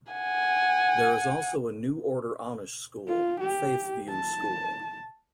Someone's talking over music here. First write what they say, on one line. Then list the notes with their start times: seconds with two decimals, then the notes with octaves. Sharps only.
There is also a New Order Amish School, Faith View School.
0.13 F#5 G#5
3.08 F4
3.40 G4
4.09 A5